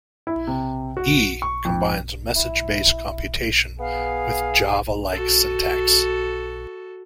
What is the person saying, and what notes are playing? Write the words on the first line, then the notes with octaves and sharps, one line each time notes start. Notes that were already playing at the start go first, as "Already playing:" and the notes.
E combines message-based computation with Java-like syntax.
E4
C3
F#4
C#6
F2
E4
B3 G#4 F5
F#4 A4